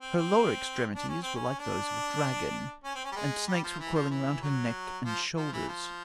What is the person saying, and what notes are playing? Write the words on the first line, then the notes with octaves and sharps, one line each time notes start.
Her lower extremities were like those of a dragon, and snakes were coiling round her neck and shoulders.
C4
C4
D4
C#4
C4
C#4
D4
C#4
C4
C#4
G3
G#3
G3
F3
E3
F3
E3
F#3
F3
F3
E3
F3